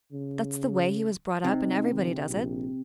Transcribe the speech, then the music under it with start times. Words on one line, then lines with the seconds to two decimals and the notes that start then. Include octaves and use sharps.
That's the way he was brought up, and everybody does it.
0.12 C#3
1.44 C3 D#4
1.91 D#3
2.27 A#1